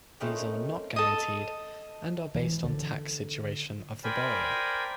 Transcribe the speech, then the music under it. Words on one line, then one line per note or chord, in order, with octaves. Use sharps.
These are not guaranteed and are based on the tax situation of the borrower.
A3 C4 C#4 D#4 A#4 B4
A4 D#5
E3
D3
A#4 C5 D5 G5 G#5 B5